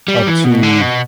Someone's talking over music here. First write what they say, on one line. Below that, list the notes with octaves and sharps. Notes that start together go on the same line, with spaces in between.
up to"
G3
E3
B2
D3
B2